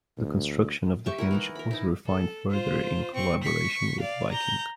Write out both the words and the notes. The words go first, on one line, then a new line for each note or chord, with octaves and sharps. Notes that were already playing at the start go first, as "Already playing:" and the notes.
The construction of the hinge was refined further in collaboration with Viking.
D2
G4 E5 C#6
E4 A#4 F#5
E3 D#4 E4
A#4 B5
D#4 E4
A4
F4 C5
C4 C#6
C#6 B6
D5 F5
A#5 G6